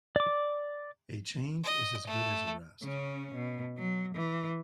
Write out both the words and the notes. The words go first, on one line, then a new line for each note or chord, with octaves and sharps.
A change is as good as a rest.
D5 D6
D#5
A3
C#3 C#4
B2
F#3
E3